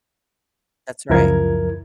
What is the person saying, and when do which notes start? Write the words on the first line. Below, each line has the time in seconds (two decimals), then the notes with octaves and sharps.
That's right.
1.10 C#2 F#2 F3 E4 A#4 G#6